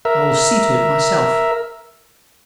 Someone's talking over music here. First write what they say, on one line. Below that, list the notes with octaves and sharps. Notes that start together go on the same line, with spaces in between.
"I will see to it myself."
A#4 E5